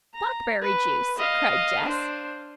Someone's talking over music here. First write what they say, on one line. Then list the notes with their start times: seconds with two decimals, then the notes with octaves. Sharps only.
"Blackberry juice!" cried Jess.
0.14 A#5
0.62 B4
1.18 D#5 F5
1.84 D4 C5